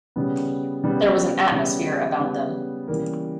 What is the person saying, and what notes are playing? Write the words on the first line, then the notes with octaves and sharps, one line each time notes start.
There was an atmosphere about them.
C#3 G3 B3
C#3 G3 B3
C#3 G3 B3
C#3 G3 B3
C#3 E3 G3 A#3